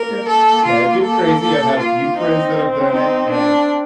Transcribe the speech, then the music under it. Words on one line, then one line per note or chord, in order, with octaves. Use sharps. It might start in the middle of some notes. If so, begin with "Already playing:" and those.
Yeah. Tad bit crazy. I've had a few friends that have done it, and
Already playing: A#3 A#4
A4
F4
A4
A4
F4
C4 D#4
D#4
D4